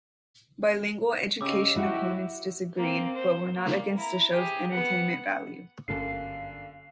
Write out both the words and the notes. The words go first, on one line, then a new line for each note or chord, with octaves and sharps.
Bilingual education opponents disagreed, but were not against the show's entertainment value.
C#3 G4 D#5 F5 D6 E6
F#3 E4 F#4 G4
A#3 C4
C5
A#3
E4 A#5
G4 G#4
B3 F#5
G1 F#2 D3 A#3 A4 F5 C7